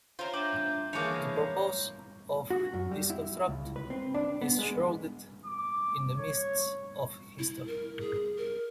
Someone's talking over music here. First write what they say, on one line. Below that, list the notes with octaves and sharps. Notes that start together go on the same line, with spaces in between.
The purpose of this construct is shrouded in the mists of history.
F4 A#4 C5 C#5
D4 E5 G5 A#5 D6
E3 G#3 A#3 C5 C#5 A5 D6
A#5
F#4
F#2
G3
E4
C#2
B4
C4
D4
B3
G#3
D6
C#5
E4
A#4
G#4
A#4